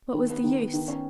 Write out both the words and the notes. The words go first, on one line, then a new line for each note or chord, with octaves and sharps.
What was the use?
D#3
B3
D#3
B3
D#3
C#4